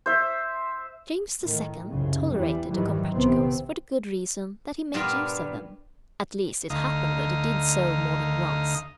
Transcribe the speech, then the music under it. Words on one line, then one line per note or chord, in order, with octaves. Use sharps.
James II. tolerated the Comprachicos for the good reason that he made use of them; at least it happened that he did so more than once.
C5 E5
A2 D#3
C2 F#2 C#3
E2 E3 G3
F2 G#2 D#3 E3 F#3 G3
A#1 C3 D#3 B3 C4
G2 A#2 G3 B3 F4
D2 D#4 F5 D#6